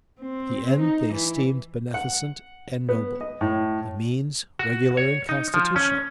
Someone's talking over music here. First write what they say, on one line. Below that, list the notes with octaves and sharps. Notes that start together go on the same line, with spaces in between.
The end they esteemed beneficent and noble; the means, regular and constitutional.
C4
D#4
E3
F#5
B3
D#5
A2
F#4
C#5
D#4
F3
C#4